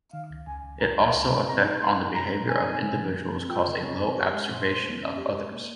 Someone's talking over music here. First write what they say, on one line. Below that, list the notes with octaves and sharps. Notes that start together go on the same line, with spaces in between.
It also affect on the behavior of individuals cause a low abservation of others.
D#3 F5
C#2
C#2 G#5
C#2
C#2 A#5
C#2
C#2 A#5
C3
C4 A#5
D#4
D#4 C6
D#4
D#4 A#5
G3
D#4 G#5
C4
C#3
F3
F3
C4
F4 G5
C#3
C4 C#5
C4
G4 C#5
G#3
A#2 C5
A#2
G#3
C#4
G4
G#3
A#3